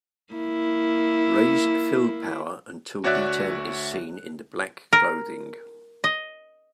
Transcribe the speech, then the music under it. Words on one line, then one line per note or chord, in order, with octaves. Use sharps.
Raise fill power until detail is seen in the black clothing.
A#3 E4
D2 F#4 C#5 D5 E5 F#6
A#4
D#5